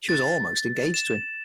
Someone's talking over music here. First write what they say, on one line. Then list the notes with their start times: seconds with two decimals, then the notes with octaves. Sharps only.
She was almost engaged to him.
0.09 A6
0.94 E7